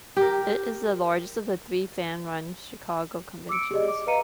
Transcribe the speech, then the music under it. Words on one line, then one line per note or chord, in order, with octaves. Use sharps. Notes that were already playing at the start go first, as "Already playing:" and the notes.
It is the largest of the three fan-run Chicago conventions.
G4 A#4
D6 E6 C#7 D7
G4 G#4 D5 D#5
D6
B4 D#5 F5 A#5 C#7 D#7